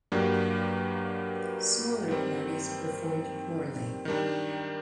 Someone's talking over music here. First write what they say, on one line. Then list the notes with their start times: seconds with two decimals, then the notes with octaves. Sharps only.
Smaller parties performed poorly.
0.12 G2 F#3 A#3 D4 G4
2.08 D#3 G3 C4
4.05 D#3 G3 D4